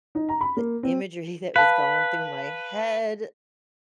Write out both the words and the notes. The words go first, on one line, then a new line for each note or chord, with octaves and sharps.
the imagery that was going through my head,
D#4
A#5
B5
A#3
C4
B4 F5 A5